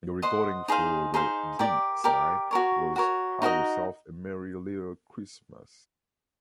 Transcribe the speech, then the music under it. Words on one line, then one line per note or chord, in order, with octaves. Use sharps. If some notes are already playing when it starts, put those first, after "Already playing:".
The recording for the "B" side was "Have Yourself a Merry Little Christmas".
C5 D#5 F#5
D#4 G#4 C5 F5
D#4 G#4 C5 F5
G4 A#4 D5
G4 A#4 D5
F#4 A#4 C#5
F#4 A#4 C#5
D#4 F#4 A#4 D#5